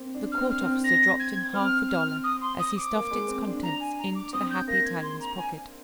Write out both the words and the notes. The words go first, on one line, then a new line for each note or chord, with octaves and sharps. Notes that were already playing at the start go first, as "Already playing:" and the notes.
The court officer dropped in half a dollar as he stuffed its contents into the happy Italian's pocket.
Already playing: A#3 C4
D4
F6
C4
F6
C4
A#6
G#6
C4 F6
F6
D#6
C6
D#6
D6
A#3
G#3
C4
D4
A#5
G#5
A#5
D6
C4 D#6
G6
A#3 A#6
G#6
C6
A#5
G#5